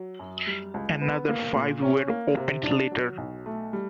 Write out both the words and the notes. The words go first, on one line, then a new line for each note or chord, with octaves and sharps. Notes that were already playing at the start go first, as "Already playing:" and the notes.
Another five were opened later.
Already playing: F#3
F#2
G3
C#2
B3
A#3
A#2
C#4
A#3
C3
D4
F#3
B1
A3
G3